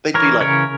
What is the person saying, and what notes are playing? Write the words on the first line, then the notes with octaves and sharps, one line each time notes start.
They'd be like
E3 A#4 C#5
C#3 A#4 C#5